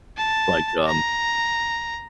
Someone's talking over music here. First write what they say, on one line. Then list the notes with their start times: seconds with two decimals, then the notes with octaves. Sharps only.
Like, um
0.17 A5
0.88 A#5